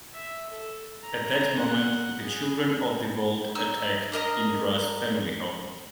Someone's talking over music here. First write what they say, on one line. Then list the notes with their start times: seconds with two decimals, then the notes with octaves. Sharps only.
At that moment, The Children of the Vault attack Indra's family home.
0.13 E5
0.50 A4
1.03 A#5
1.58 F#5
2.22 G#4
3.55 D#4 E6
4.12 D4 A#4 D#5 A#5